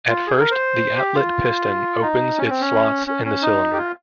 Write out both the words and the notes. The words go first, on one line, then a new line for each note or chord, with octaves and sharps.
At first, the outlet piston opens its slots in the cylinder.
F4
G#4
A#4
C5
G4
F4
D#4
C#4
C4
C#4
C#4
C#4
D#4
G4
F4